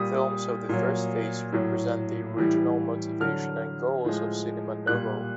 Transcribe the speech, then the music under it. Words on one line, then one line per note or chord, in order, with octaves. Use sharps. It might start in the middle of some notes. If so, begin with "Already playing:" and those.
Films of the first phase represent the original motivation and goals of Cinema Novo.
Already playing: A#2 G3 D#6
A#2 F#3
A2 F#3
A2 E3 G3
D3 F#3 F6
A2 F3 G#3
A#2 G3 F#6